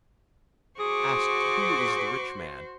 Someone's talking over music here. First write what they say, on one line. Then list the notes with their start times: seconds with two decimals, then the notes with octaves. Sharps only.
Asked, Who is the rich man?
0.79 F#4 G#4 C5 C#6 D6